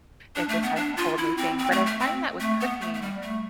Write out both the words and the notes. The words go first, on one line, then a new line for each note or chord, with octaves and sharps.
it can start off a whole new thing, but I find that with cooking,
D4
A3
B3
D4
F4
E4
C4
C4
A3
A3
C4
A3
B3
A3
A3
G3
A3